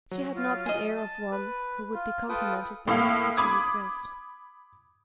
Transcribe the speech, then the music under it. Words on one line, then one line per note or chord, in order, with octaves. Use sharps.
She had not the air of one who would be complimented by such a request.
F#3
F4
G#4 D#5
A5
B4
F4
F4 A4 B4 G5 D#6
A2 A#3 F5
B5 D6 D#6 G#6